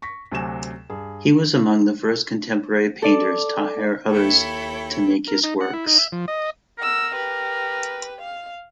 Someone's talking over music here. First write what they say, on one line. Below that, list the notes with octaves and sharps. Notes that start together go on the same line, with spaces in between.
He was among the first contemporary painters to hire others to make his works.
C#6 A#6 B6
D2 C3 F#3 F#4 G#5 E7
G2 G#4
A4 D5
D#2 E4 A4 C#5 G5 B5
A#4
D#4
F#5
E4
D#4
E5
F3
D#5
A#4 F#5 E6
G4 B4
F5